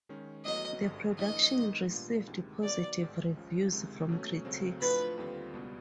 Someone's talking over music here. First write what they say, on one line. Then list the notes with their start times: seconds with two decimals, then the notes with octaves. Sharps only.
The production received positive reviews from critics.
0.09 D#3 G#3 C#4
0.45 A1 A2 F#3 B3 D#5
0.82 G#1 G2 D3
1.18 A2 E3 A3 D4 D#5
1.55 G#2 D#3 G#3 B3
1.90 A#2 G3 B3 D4 F4
2.27 D2 C3 D#3 G#3
2.63 D#3 F#3 B3 D5
3.00 A1 G#2 D#3 G#3
3.36 C#2 C#3 F3
3.72 C#2 C3 D#3 G#3
4.09 B2 F#3 A3 C#4
4.45 C#2 C#3 F#3 A3 C4
4.81 A2 F3 A3 D4 F4 B4
5.17 D#2 D3 G3 C4 F4
5.54 C#2 B2 G3 B3